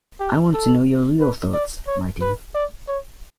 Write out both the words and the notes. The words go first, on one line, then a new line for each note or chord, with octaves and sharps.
I want to know your real thoughts, my dear.
G4
A4
B4
D5
C#5
B4
D5
C#5